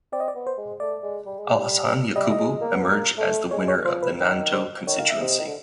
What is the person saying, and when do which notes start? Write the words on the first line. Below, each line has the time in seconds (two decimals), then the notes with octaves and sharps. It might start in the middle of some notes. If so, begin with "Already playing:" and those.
Alhassan Yakubu emerge as the winner of the Nanto Constituency.
0.12 C4 D5
0.20 D#5
0.28 D5
0.35 B3
0.47 C5
0.58 G#3
0.80 A3 D5
1.03 G#3
1.26 G3
1.39 G#3
1.52 G3
2.16 G3 D#5
2.24 E5
2.31 D#5
2.38 G#3
2.61 A#3
2.75 B3
2.83 A#3
3.18 A3
3.51 G#3 C#5
3.68 C#5
3.85 F3 C5
4.02 B4
4.20 D#3
4.53 C5
4.87 D#3 C#5
4.99 F5
5.10 E5
5.21 C3 D#5
5.40 D#3
5.47 D3